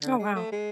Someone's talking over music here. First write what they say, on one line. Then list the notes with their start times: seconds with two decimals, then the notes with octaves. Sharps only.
Oh, wow.
0.02 D3
0.18 G#3
0.35 A3
0.52 G#3